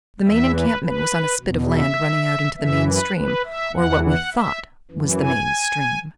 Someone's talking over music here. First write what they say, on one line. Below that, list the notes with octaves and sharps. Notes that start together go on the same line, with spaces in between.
The main encampment was on a spit of land running out into the main stream, or what we thought was the main stream.
E2 E3 E5
B4
B4
E2 B2
E5
F#2 E3 E5
B4
B4
E5
E2 E3 F#5
F#5
E5
F#2 E3
G#5